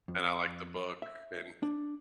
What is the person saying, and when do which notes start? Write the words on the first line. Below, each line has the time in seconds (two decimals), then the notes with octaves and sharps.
and I liked the book and
0.08 F2
1.02 E5
1.63 D4